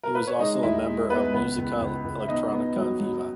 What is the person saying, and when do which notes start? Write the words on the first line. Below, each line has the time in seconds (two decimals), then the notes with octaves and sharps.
He was also a member of Musica Elettronica Viva.
0.03 A#4
0.15 B4
0.27 C#5
0.39 G#3 D#4 D#5
0.63 D#2 E4 E5
0.86 G#3
1.10 G#3 B3 B4
1.33 C#2 B3 B4
1.58 C#2
1.81 C#2
2.05 C#2
2.20 E5
2.28 B2 D#4 D#5
2.52 B3
2.76 F#3
3.00 F#3